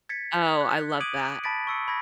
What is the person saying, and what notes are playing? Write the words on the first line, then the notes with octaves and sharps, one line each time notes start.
Oh, I love that.
G#6 A6 B6 C#7
F#6
D6 D#6 G#6 D7 D#7 F#7
A5 B5 A6 B6 D7
C#6 E6 C#7
B5 G#6 A#6